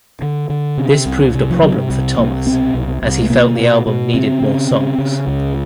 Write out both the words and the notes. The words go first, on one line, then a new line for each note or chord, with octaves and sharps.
This proved a problem for Thomas as he felt the album needed more songs.
D3
D3
C3
C2
C3
F3
C3 F#3
C2
C2 A#3
B2 C4
C2
C2
A3
B2 A#3
B2
B2
C#3 C4
C#3
C#3
C#3
C#2